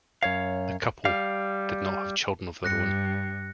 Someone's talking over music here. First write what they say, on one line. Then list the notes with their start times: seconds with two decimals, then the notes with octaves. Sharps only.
The couple did not have children of their own.
0.23 F#2 C#5 F5
1.05 G3 F5
2.64 G2 F#6 A#6 C#7